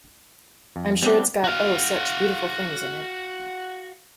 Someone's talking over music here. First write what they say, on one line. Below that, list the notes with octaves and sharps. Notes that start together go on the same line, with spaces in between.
I’m sure it’s got, oh, such beautiful things in it!
F2
G3 B3 C4 D4
F#4 F5